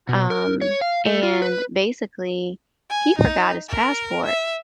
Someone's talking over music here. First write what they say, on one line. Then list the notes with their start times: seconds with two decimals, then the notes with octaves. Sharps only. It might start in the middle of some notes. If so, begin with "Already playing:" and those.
um, and basically, he forgot his passport,
0.09 B2
0.30 A#4
0.62 C#5
0.81 F5
1.06 A3
1.23 F4
1.42 B4
2.90 G#5
3.19 D#4
3.69 A#4
4.26 E5